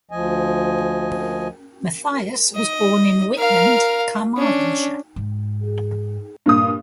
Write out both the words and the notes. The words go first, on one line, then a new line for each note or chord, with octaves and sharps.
Mathias was born in Whitland, Carmarthenshire.
D2 F3 D#5 G#5
D#5
A#4 F5
C#4 D4
G#2
G2 A#2 D#6